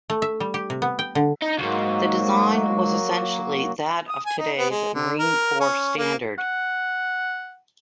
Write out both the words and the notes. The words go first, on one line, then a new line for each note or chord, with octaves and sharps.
The design was essentially that of today's Marine Corps standard.
A3
E5
G3
G4
C3
B3
G5
D3
D#4
C#2 G#2 F#3 A#3 F#4
D#6
G#5
D#4
B3
G#3
D3
A#4
C#4
A#3
F#5